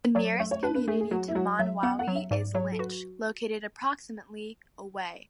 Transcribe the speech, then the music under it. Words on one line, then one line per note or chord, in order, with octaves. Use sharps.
The nearest community to Monowi is Lynch, located approximately away.
F#3 D5
A3 E5
C#5
D4 B4
B4
A3 G#4
G#4
F#3 F#4
E4
F#3 F#4
F#3 E5
B3 F#5
F#5
F#3
E5
G#2 D5
F#3 C#5
A4
F#4 B4